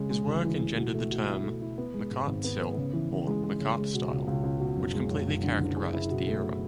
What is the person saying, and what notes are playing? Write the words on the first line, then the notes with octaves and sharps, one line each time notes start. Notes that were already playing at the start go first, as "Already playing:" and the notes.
His work engendered the term "Makartstil", or "Makart style", which completely characterized the era.
Already playing: C#3 G#3
G#3
D2
E3
E3
B2
A3
B2
E4
A3
E4
B3
G#3
G#2
G#1
B3
B3
C#3
E3
C#3
G#3
G#3
C#3
G#3
B2
C#2
C#2
C#2
B2
F#1
G#3
F#2
F#1
D3
F#1
G#4
E4
B2
A3
B2